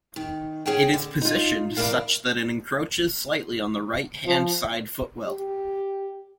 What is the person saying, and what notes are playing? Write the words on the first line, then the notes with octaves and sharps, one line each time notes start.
It is positioned such that it encroaches slightly on the right-hand-side footwell.
D#3
C#4 G#4 C#5 F#5 G5
D3
D#4 F4
E2 D4 E4 A#4 F5
F3
G4